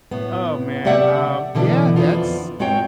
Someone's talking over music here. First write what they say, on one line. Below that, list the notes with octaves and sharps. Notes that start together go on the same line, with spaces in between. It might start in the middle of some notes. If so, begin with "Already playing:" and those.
Oh, man. Um, yeah. That's
A2 B3
C3 A3 G4 D5 E5 F#5
B2 D3 E3 B3
F2 G#2 D3 B3 E4 F4
A2 G#3 C4 F#4 C#5 G5